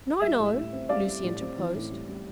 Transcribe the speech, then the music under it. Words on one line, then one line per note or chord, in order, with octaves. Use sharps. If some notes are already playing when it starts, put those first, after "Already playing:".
"No, no," Lucy interposed.
G3 E5
A2
A2
C4
G3 D5 F5
G3
A2
C4
E3
A2
G3
G3